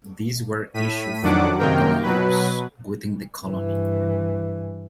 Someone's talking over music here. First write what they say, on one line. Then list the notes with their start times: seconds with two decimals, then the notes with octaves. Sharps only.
These were issued for local use within the colony.
0.74 A2 B6 D#7
1.22 F2 D#3 F#3 D4 F#5 D6
1.59 F#2 C3 D#3 A#3 A#4 G5
2.03 B2 F#3 B4
3.46 G2 E3